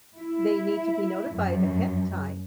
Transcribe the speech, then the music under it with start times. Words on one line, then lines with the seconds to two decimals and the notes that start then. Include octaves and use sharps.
They need to be notified ahead of time.
0.17 E4
1.29 F#2